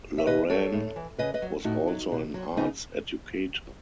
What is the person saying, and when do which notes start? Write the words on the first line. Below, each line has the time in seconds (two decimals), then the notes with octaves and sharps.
Loran was also an arts educator.
0.18 E5
0.26 B2 B4 D#5
0.49 F#3 A4 C#5
0.73 A2
0.96 E3
1.18 C#3 B4 D#5
1.34 B4 D#5
1.42 F#3
1.64 A2 D#4 F#4
1.88 F#3
2.12 B2
2.34 F#3
2.57 C#3 B3 D#4